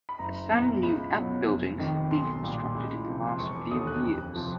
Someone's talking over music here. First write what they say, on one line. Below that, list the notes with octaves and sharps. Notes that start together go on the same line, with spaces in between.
Some new outbuildings have been constructed in the last few years.
B5
F#1 A#5
E2 B2
A#5
C#2 B5
B2 F#3
F1
F2 C3 D#3
B1 C6
A#2 G3
C#2
C3 F3
C6
E1 C#6
D6
D#2 D3 D#6
F#6
F2
C3 F3